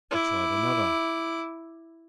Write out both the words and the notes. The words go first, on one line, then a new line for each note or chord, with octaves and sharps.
He tried another.
E4 D6